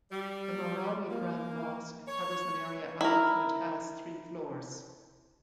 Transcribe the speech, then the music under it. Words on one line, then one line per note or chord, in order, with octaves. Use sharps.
The Marawi Grand Mosque covers an area of and has three floors.
G3
A#3
C#5
E4 A#4